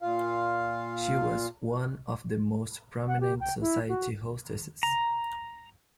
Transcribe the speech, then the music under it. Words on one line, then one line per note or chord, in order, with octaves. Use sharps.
She was one of the most prominent society hostesses.
A#2 F4 F5
F#5
G4
G5
E4
F#4
A#5